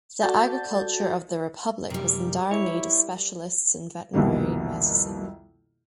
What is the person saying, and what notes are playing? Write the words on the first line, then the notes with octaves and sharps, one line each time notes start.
The agriculture of the republic was in dire need of specialists in veterinary medicine.
F#4 A4 D5 A5 G6 A6
F#2 C3 G3 A#4
E4 C#5
C2 F2 B2 D#3 G3 A#3